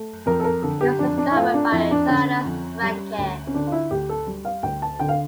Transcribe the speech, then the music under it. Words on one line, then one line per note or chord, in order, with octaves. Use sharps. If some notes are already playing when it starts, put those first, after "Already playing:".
It was discovered by Johannes Reinke.
Already playing: A3
F2 A#4
A4
A#4
D3 A4
G4
F2 D4
D4
E4
A3 F4
D4
F2 E4
D4
D3 C#4
F2
G3
D2
C#4
D3 D4
F4
E4
D2 G4
A4
G3
F5
D2 G5
A5
D3 G5
F5